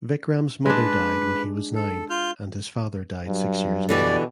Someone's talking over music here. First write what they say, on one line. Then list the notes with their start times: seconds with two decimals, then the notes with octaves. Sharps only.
Vikram’s mother died when he was nine and his father died six years later.
0.66 G#3 D4 B4
1.75 A4
2.10 F4 F6 G6
3.27 G2 F#3
3.89 B2 D3 E3 G4 D5